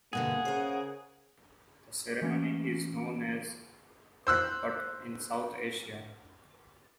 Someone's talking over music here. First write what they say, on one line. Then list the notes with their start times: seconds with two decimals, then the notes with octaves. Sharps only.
The ceremony is known as "ghat-pat" in South Asia.
0.13 G2 B2 D3 A#3 G#4 F#5
0.45 C#3 A#4 C5
2.22 E3 A3 A#3 C#4
4.27 C5 E6 F#6